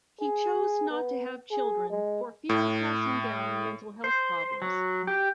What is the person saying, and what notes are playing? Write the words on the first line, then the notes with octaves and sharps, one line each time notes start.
He chose not to have children for fear of passing down mental health problems.
G#4
B3
G#4
G#3
A2
C5
F#3
G4